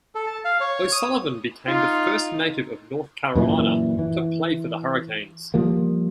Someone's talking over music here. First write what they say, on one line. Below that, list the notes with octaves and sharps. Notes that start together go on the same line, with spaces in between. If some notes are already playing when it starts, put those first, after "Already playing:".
O'Sullivan became the first native of North Carolina to play for the Hurricanes.
A4
A5
F5
C#5
D#6
D#4 F4
F#2 A#2 E3
E3
F3 G3 A#3